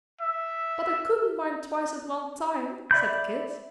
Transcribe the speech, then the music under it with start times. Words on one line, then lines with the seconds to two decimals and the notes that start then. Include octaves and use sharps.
"But I couldn't mind twice at one time," said Kit.
0.21 E5
2.91 D5 E5 B5 G6